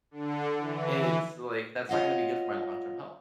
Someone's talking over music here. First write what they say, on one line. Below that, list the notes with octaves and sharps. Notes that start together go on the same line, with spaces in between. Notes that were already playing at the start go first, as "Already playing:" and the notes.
i It's like, that's not gonna be good for my long-term health.
D3
E3
F4 C#5 D#5 F5 F#5